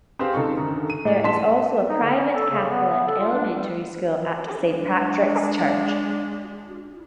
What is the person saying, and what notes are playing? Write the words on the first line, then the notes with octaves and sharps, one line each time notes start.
There is also a private Catholic elementary school at Saint Patricks Church.
C4 G4 G#4 C5 F5
C#2 D#4 A4 C#6
F#2 D3 D#3
D#7
A2 D5
A1 A5 C6 B6 E7
D#4
D3
C#4
A4
C#3
B3
B3
A4
F4
D4
G3
G#3 D4